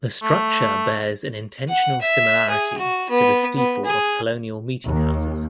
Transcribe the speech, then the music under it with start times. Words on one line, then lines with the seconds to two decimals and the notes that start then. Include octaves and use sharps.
The structure bears an intentional similarity to the steeple of colonial meeting houses.
0.23 A3
1.68 F#5
2.01 E5
2.50 G#4
2.78 F#4
3.10 B3
3.57 B3
3.85 G#4
4.85 D#2